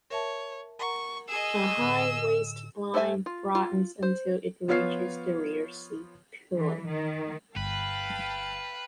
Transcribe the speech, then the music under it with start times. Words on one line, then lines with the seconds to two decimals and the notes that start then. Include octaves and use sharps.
A high waistline broadens until it reaches the rear "C" pillar.
0.10 A#4 C#5 E5 A5
0.79 A#4 F#5 A#5 C#6
1.28 G#4 D#5 E6
1.77 A2 D3
2.94 A3 A4 C5 E5 G#5
3.26 F4
3.55 F4
4.03 C5
4.68 F3 B3 F4 C#5 F6 C7
6.57 E3
6.87 D#3
7.56 G1 B4 F5 G5 A5